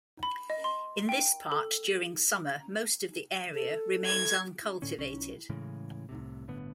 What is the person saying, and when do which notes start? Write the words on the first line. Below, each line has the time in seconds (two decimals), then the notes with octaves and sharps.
In this part during summer most of the area remains uncultivated.
0.23 B5
0.50 D#5
0.64 C6
1.09 G5
1.52 A4
1.84 F#7
3.54 A4
4.07 G#6
4.82 A2 D3 C#4
4.98 B1 C#4
5.49 A2 C#3 E3 G#3
6.09 C2 A2 C3
6.48 G1 A2 D3 B3